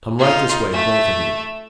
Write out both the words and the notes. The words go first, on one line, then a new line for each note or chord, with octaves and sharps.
Come right this way, both of you.
D#4 F4
A3 E5